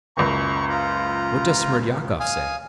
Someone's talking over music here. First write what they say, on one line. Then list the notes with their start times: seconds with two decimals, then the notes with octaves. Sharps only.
What does Smerdyakov say?
0.17 F#1 C#2 A#5 C#6
0.69 F4 A#5
2.20 F5 G#5 D#6